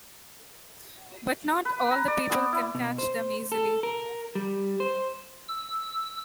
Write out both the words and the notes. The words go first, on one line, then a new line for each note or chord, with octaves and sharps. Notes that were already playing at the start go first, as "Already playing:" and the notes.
But, not all the people can catch them easily.
B4
A#5
D5
B3
E4
B2
C5
A4
A#4
G3
C5
E6